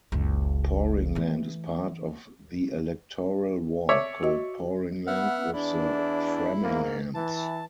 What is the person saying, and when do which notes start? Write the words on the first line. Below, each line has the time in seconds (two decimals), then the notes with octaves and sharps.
Poringland is part of the electoral ward called Poringland with the Framinghams.
0.12 F#1 C#2
1.15 E3 A3
3.89 C#5 D5 E5
4.23 F#4 D#5
5.07 B3 E5 F#5 F6
5.53 E2 D4 E4
6.63 G#2 A#3
7.14 E3 A5